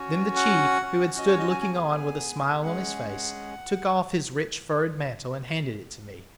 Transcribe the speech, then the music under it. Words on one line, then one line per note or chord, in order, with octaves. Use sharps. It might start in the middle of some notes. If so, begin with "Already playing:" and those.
Then the chief, who had stood looking on with a smile on his face took off his rich furred mantle and handed it to me.
Already playing: C#4 F#4
F#5
C#4 F#4
D#5
C#5
D#5
G#5
G#5
B3 G#4
G#3 C#4 G#4 F#5
F#5